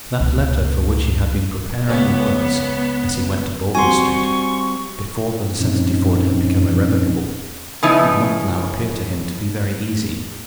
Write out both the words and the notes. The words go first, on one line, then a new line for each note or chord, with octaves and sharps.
That letter for which he had been preparing the words as he went to Bolton Street, before the necessity for it had become irrevocable, did not now appear to him to be very easy.
C#2 A#2
C#2 B3 C#4
G3 C4 F#4 G#5 C6 C#6
F#2 A#2 F3 C4 C#4 D#4
C#3 F3 B3 D#4 E4